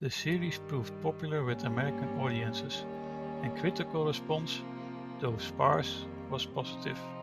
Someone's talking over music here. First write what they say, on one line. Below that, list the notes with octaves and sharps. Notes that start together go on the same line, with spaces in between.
The series proved popular with American audiences and critical response, though sparse, was positive.
G2 D#3 G3
G#2 G3 A#3 C#4
D#2 D#3 G3 C#4
C3 F3 A#3
F2 D#3 G3 A#3
C3 F3 C4 D#4